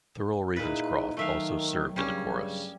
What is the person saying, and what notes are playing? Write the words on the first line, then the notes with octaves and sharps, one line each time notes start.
Thurl Ravenscroft also served in the chorus.
A#2 D#4 E4 G#4 B4
D#3 F#3 A3 E5 F5
G2 C#3 G3 C#4